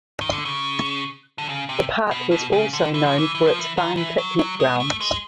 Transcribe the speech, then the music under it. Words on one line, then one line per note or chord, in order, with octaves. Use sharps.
The park was also known for its fine picnic grounds.
D#3
D3
C#3
D3
C#3
C3
B2
B2
C#3
D3
E3
F3
E3
E3
F3
E3
D#3
E3
F#3
F#3
G#3
A3
G#3